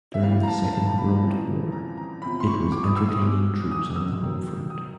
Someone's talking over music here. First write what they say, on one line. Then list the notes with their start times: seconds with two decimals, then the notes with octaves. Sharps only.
During the Second World War it was entertaining troops on the home front.
0.14 E5
0.23 A2 E3 G3 F5
0.43 A#5
0.48 A5
0.73 A5
0.86 A#5
0.98 B5
1.10 A#5
1.23 F2 C#3 E3 G3
1.72 A#5
1.97 A#5
2.21 E2 C3 F3 B5
2.40 C6
2.47 C#6
2.72 D6
2.83 D#6
2.96 E6
3.09 D#6
3.21 B2 G#3 D6
3.71 D#6
3.90 D#6
3.96 E6
4.20 G#2 D#3 F#3
4.70 D#6